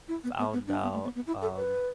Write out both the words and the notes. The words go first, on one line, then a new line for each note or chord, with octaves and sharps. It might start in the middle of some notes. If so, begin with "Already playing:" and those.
found out, um,
E4
B3
B3
B3
D4
B3
A3
B3
B3
E4
A4
B4